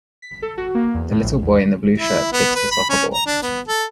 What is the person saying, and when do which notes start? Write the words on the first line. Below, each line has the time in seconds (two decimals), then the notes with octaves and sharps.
The little boy in the blue shirt kicks the soccer ball.
0.22 B6
0.42 A4
0.57 F#4
0.75 A#3
0.94 E2
1.11 A2
1.23 A#1
1.42 E2
1.98 E4
2.33 B3
2.55 B4
2.71 B5
2.89 C#4
3.14 A#5
3.26 D4
3.42 B3
3.68 A4